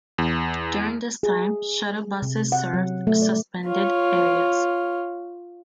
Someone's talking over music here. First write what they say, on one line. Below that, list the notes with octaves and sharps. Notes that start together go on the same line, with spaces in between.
During this time, shuttle buses served suspended areas.
E2
G#4
C3
F#5
F#3
A3
D5
F4 C#5